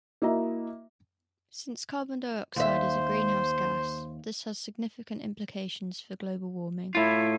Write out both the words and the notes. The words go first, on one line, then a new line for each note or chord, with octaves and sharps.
Since carbon dioxide is a greenhouse gas, this has significant implications for global warming.
A#3 E4 F#4 D#5 E5 A#5
D#2 C5 E5
A2 E4 F4